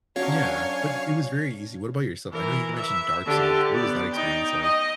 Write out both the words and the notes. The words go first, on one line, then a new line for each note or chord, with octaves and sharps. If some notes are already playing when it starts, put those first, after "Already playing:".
Yeah, but it was very easy. What about yourself? I know you mentioned Dark Souls. What was that experience like?
F#3 C#4 D4 A#4 C#5 F5 G#5
E3 A#4
E5
D3 G4
B3 D5
D#4 G5
D#5